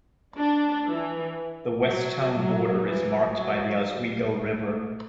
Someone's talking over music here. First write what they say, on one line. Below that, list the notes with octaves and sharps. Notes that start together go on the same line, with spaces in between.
The west town border is marked by the Oswego River.
D4
E3
F#3
F#3
E3
F#3
G3
A3